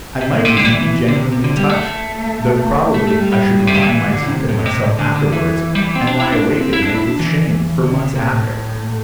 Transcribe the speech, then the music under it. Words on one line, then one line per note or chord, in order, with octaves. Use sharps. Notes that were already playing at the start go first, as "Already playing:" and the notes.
I might even be genuinely touched, though probably I should grind my teeth at myself afterwards and lie awake at night with shame for months after.
C3
A2
C3
D3
G3
E3
E3
D3
C3
C3
D3
G3
A3
A3
A3
G3
G3
A2
C3
D3
E3
D3
A2
C3
A2
A2
C3
A2
D3
D3
E3
G3
E3
C4
D4
E4
D4
C4
E4
D4
E4
D4
E3
D3
C3
C3
A2